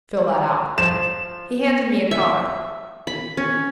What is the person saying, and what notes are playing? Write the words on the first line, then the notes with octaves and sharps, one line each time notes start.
"Fill that out." He handed me a card.
F3 E7
E5
B5
C#4